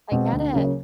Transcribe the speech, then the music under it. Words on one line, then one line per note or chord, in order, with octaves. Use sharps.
I get it.
B2 G#3 C4
D2
C#3 F#3 A#3 C#4